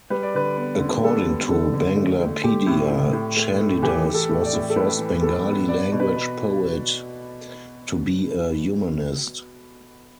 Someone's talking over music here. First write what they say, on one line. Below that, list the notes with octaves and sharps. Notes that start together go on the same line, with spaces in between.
According to Banglapedia, Chandidas was the first Bengali-language poet to be a humanist.
G3 B4
D5
D3 B4
B3
D3
G3 A4
B3
D3 A4
D3
A3
A3
A3 G4
A2
A2
A2
A3
A3
E3 G4
E3
A4
A2
D5
A2
A4
A2 B4
E3
B3 A4
B3
B3 D5
B2
B4
B2